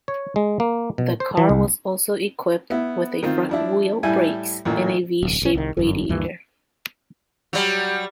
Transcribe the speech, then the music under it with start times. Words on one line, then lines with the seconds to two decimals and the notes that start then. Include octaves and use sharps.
The car was also equipped with front-wheel brakes and a V-shaped radiator.
0.08 C#5
0.36 G#3
0.60 A#3
0.98 B2
1.20 C5
1.37 E3
1.49 C2
2.70 B3 E4
3.23 D#3 C4 F4
3.49 F3 D4 E4
4.03 A2 G3 E4 G#5
4.65 A1 A#2
5.23 D1 B1
5.42 B1 C#4
5.54 C2 D#3
5.77 G1 F#2
6.09 D2 G2 E3 A#3
7.53 F#3 G3